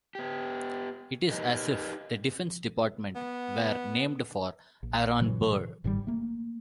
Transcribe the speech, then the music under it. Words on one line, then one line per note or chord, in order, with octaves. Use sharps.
It is as if the Defense Department were named for Aaron Burr.
B3 G4
D#4 G4 A#4 B4 D#5
B3
A#1
A#2 C#3 E3 F#3
G1 G#2 D#3 G3
A3 A#3